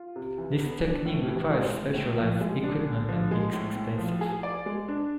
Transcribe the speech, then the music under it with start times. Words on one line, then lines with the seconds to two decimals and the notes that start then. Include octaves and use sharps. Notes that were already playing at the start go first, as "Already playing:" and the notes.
This technique requires specialized equipment and is expensive.
Already playing: F4
0.16 C3
0.38 E3
0.61 B3
0.83 D4
1.05 A2
1.28 E3
1.50 G#3
1.73 A2
1.96 A2
2.18 F3
2.41 G#3
2.63 D4
2.86 D3
3.09 F3
3.31 G#3
3.53 A2
3.76 A2
3.98 F3
4.21 G#4
4.43 D5
4.66 G#3
4.88 D4